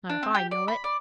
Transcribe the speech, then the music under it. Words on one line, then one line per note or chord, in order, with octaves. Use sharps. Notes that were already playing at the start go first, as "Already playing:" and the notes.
Not if I know it.'
D4
C4
G4
D5
B5
D5